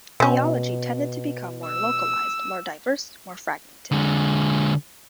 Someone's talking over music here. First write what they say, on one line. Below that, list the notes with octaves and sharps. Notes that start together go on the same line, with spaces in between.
Theology tended to become more localised, more diverse, more fragmented.
B2 C4 C#4
E6
D3 G#3